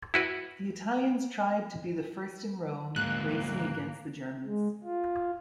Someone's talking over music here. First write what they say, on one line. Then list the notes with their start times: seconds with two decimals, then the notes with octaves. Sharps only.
The Italians tried to be the first in Rome, racing against the Germans.
0.14 E4 F#4 B4
2.96 D2 G#2 A#3 F#6
4.45 G#3
4.83 F4